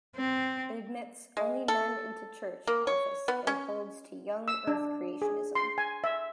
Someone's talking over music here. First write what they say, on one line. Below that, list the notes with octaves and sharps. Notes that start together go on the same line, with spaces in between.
It admits only men into church office and holds to Young Earth creationism.
C4
G#3
A4
A#3
C#5
B3
C#4
E6
D4
G#4
C6
G#5
E5